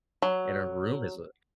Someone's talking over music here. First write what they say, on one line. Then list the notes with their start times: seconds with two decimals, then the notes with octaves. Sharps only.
and her room is a
0.22 F#3